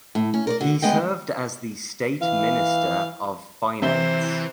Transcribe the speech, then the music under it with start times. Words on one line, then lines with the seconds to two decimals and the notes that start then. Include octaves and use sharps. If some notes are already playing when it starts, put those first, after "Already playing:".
He served as the State Minister of Finance.
0.15 A2
0.34 C#4
0.47 A#4 C#5 D5
0.61 D3 F#4
0.82 D2 G#3 B3 D#5 G5
2.22 E3 F5
3.82 C3 E3 C5 E5 G7